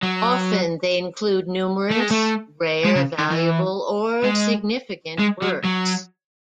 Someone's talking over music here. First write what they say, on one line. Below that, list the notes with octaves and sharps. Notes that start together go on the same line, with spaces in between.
Often, they include numerous rare, valuable, or significant works.
F#3
A3
G#3
A3
G#3
C#3
D#3
E3
G#3
G#3
F#3
F#3